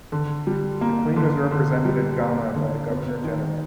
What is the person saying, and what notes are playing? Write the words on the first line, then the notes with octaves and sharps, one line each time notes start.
The Queen was represented in Ghana by a Governor-General.
D3
G3
A#3
D3
D3
G3
A#3
D3
B3
D#3